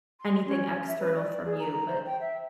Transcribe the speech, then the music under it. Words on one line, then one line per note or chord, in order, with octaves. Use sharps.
anything external from you, but,
C6
C#4
E5
B4
D5
G#4
A#5
C5
G5
E5